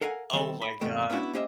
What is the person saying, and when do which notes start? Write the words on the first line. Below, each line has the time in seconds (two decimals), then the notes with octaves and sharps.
Oh my god.
0.01 A4 A#4 F5 F#5 G#5
0.33 D#3 G3 C4 A4
0.62 B5
0.81 E2 G#2 C3 A3 G5
1.10 B3 C#4 D4 E4 F#4
1.33 A#3 C#4 G4 C5 D#5 E5